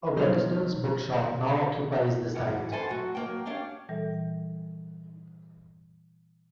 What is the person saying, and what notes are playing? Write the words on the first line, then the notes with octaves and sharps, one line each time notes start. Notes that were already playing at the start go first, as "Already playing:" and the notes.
A Waterstone's bookshop now occupies the site.
B2 F#3 G3 D#4 C5 F6
F#2 E3 G3 E5 F#5
G2 A4 C5 G#5
F#3 A3 F#4
F#3 A#3 G5
C#4 D4 G4 F5 G5
A#2 E3 G3 A4